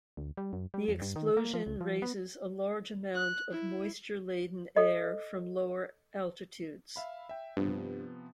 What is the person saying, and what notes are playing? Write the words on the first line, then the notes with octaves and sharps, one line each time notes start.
The explosion raises a large amount of moisture-laden air from lower altitudes.
D2
G3
F#2
G3
F2
G2
D#3
A#3
F3
C#2
F3
B3
F#6
E4
A4 D#5
E5 F5 B5
E5 G5
G2 C3 F3 B3